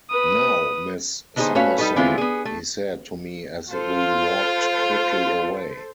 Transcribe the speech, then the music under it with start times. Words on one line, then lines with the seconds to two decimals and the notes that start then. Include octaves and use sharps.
"Now, Miss Summerson," he said to me as we walked quickly away.
0.10 B4 D#6
1.36 D3 B3 D#4 F#4 G#4 C5
1.55 A3 C#4 F#4 B4 C#5 F5
1.78 G3 D#4 G4 A4 B4
1.96 D3 G#3 B3 C4 E4 F4
2.18 B3 G#4
2.45 A3
3.71 F4 A4 C5